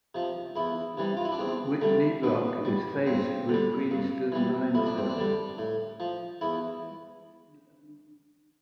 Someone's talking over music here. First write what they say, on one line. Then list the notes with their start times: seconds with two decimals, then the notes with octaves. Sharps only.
Whitney Block is faced with Queenston limestone.
0.15 C3 F3
0.56 E2 E4
0.97 C3 E3 G3
1.17 F4
1.25 E4
1.32 D4
1.39 E2 C4
1.81 D3 G3 A3
2.23 B2 B3
2.65 G3
3.07 G2 C4
3.49 D3 G3
3.91 G2
4.32 E3 G3
4.75 F2 E4
4.86 D4
4.98 C4
5.10 D4
5.17 D3 G3
5.58 A2
6.00 F3
6.41 E2 E4